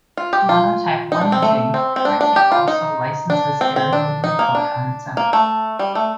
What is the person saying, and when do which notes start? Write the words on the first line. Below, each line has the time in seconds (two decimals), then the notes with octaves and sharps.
Monotype onemaging currently also licenses Arial Unicode on its own.
0.17 F4
0.33 G4
0.49 F4
1.12 D#4
1.21 D4
1.32 C4
1.42 A3
1.74 C4
1.96 C4
2.05 D4
2.21 D4
2.36 G4
2.52 F4
2.68 D#4
3.30 D4
3.61 C4
3.76 C4
3.93 D4
4.24 D#4
4.39 A#3
4.55 D4
5.17 A#3
5.33 A3
5.79 G3
5.95 A3